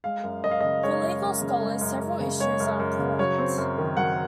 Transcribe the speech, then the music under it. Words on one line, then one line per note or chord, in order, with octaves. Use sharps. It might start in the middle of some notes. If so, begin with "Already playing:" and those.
For legal scholars, several issues are important.
G#3 F5
F#2
F#2 D#5
F5
C#3 D#5
G#3 C#5
F#2
F#2
C#3
G#3
F#2
F#2
C#3
G#3 C#5
F#2
F#2
C#3
F#3 C#5
C4
F#2
D#3
F#3 F#5